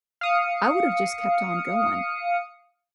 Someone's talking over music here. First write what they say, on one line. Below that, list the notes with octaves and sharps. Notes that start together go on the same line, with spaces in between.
I would've just kept on going
F5 D#6 C#7